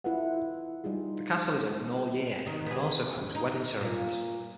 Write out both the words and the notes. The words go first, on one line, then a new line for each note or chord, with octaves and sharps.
The castle is open all year, and can also host wedding ceremonies.
E4 F4 A4 B4 F#5
G3 D#4 F4 G#4
D#3
B3 G#4
D#4
A#2